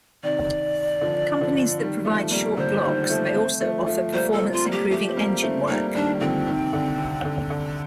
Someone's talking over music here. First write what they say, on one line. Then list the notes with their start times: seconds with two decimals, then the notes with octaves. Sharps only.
Companies that provide short blocks may also offer performance improving engine work.
0.23 C3 D#3 D5
1.01 D3 F3
1.41 D3 F3
1.79 D#3 G3
2.05 F3 A3
2.31 G3 A#3
2.57 D3 C5
2.83 D#3 G3
3.02 G3
3.09 F3 A3
3.35 A3 C4
3.60 F3 A3
3.86 F3 A3
4.12 G3 A#3 C5
4.32 A4
4.38 A3 C4
4.52 F4
4.64 G3 A#3
4.72 G4
4.90 F3 A3 G4
5.09 C4
5.16 G3 A#3
5.42 A3 C4
5.69 G3 A#3 D#4
5.94 D#3 G3 D4
6.14 D#3
6.20 D3 F3 C4
6.46 C3 D#3
6.73 D3
6.98 C3
7.25 D3
7.50 D3